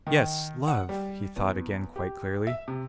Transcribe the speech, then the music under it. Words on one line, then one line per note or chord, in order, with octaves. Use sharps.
"Yes--love," he thought again quite clearly.
D#3
F#5
G3
E2
G4
E5
C3